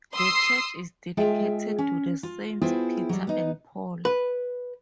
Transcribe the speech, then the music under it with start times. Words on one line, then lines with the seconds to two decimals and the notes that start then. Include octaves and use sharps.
The church is dedicated to the Saints Peter and Paul.
0.14 C6 D#6 E6 C7
1.17 G#3 F4 G#4 E5 G5
1.78 C#4
2.23 F4
2.61 B3 E4 F4 G#4 C5 G5
3.09 F#3 G3
3.27 B3 D#4
4.05 B4